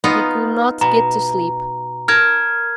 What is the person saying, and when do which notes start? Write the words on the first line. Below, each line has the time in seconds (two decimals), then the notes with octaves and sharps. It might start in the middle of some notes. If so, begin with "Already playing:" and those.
He could not get to sleep.
0.04 B3 D#4 F4
0.81 B2 A#5
2.08 A#4 A5 F6 G#6